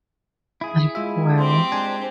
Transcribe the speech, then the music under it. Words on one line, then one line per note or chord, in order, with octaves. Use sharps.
like, wow.
E4 G#4
G#3 F4 E5
C4 G4 C6
G#3 D4 G#5